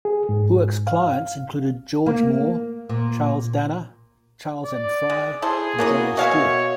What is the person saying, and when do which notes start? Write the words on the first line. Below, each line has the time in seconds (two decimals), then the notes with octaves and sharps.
Buek's clients included George Moore, Charles Dana, Charles M. Fry and John A. Stewart.
0.05 G#4
0.29 G#2
0.87 F5
2.06 A#3
2.89 A#2
4.65 D5
5.10 G#3
5.42 E4 G#4 A4 C5
5.79 A#3 B3 C#4 E4 F#4 D#5
6.17 B2 F#4 C#5 E5 F5 G#5